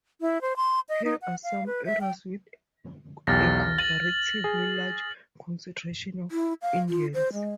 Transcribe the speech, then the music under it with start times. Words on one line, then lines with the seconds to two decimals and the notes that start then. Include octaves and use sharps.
Here are some areas with a comparatively larger concentration of Indians.
0.21 E4
0.41 C5
0.56 C6
0.89 D#5
1.05 D#4
1.22 F#5
1.44 F5
1.66 B4
1.86 E5
2.01 G5
3.27 B1 E2 G4 F6 A6 A#6
3.78 A6 D#7 F#7
4.44 G#4
6.31 E4
6.62 F5
6.89 F4
7.14 C5
7.33 G#3